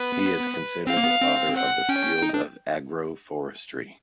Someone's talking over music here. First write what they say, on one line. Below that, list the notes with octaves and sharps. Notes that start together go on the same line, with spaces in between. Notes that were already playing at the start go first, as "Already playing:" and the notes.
He is considered the father of the field of Agroforestry.
Already playing: B3 B4
C4 F5
A#3
B3
C4
F#5
C#4 G5
D#4
D4